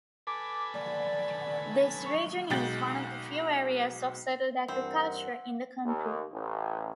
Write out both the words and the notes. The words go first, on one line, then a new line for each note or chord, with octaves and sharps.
This region is one of the few areas of settled agriculture in the country.
A4 B4 G#5 D6
D5
C#6
B1 G#3 F#4 G5 A6
G2 E3 C4 A#4 C5 F#5
D#2
A1